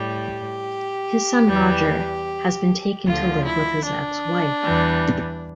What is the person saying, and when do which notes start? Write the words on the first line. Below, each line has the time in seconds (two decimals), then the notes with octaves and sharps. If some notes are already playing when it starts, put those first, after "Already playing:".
His son Roger has been taken to live with his ex-wife.
Already playing: A2 G3 G4
1.47 E2 E3 G3
3.05 D2 D3 F3 F4
3.45 E4
3.85 D4
4.64 E2 E3 G3